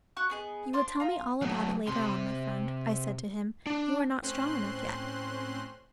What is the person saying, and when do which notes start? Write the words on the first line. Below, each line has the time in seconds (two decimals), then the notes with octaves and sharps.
"You will tell me all about it later on, my friend," I said to him; "you are not strong enough yet."
0.17 F#4 F#5 C#6 F#6
0.30 B3 G#4 D#5
0.73 D4 C5 C6 D6
1.00 F4 A#5
1.42 F#3 A3
1.87 C3 C6
3.67 D4
4.22 A2 C4 C#4 C5 C6 F#6